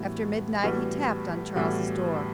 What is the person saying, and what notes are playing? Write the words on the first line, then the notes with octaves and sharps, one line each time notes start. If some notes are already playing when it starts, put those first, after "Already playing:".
After midnight he tapped on Charles's door.
Already playing: A2 E3 G3 B3 F#4
A2 E3 G3 B3 F#4
A2 E3 G3 B3 F#4